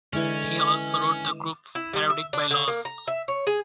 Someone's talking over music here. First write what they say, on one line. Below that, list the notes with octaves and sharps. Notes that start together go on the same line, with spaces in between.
He also wrote the group's parodic by-laws.
D3 E3 G#3 C#4 D5
E4
G3
E5
D4
D3
A#3
A#5
E5
C#5
G#4